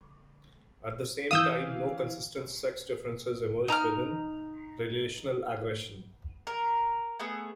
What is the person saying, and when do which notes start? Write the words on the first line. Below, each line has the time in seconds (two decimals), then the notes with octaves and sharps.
At the same time no consistent sex differences emerged within relational aggression.
1.31 E3 F5 D#6 E6 G6
3.68 D#4 A#5 D#6 F6
6.47 A#4
7.19 A3 B3 G#4